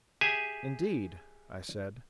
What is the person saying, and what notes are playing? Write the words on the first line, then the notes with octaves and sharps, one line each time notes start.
"Indeed," I said.
G4 G#4 E5 G#5